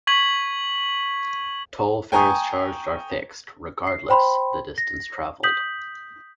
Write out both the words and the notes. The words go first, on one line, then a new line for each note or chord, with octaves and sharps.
Toll fares charged are fixed regardless the distance travelled.
C#6 G#6 B6 F#7
G5 G#5 A#5 C#6 D#6
C7
C5 G5 B5 C6
A#6
D#6 G6 B6 F#7